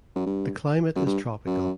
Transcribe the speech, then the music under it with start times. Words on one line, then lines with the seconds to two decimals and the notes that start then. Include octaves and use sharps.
The climate is tropical.
0.15 F#2
0.26 G2
0.96 F#2
1.06 G2
1.46 F#2